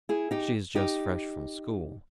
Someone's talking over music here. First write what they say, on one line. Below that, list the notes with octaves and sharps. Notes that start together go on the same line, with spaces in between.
"She is just fresh from school."
E4 G#4
D#4 G4
D#4 G4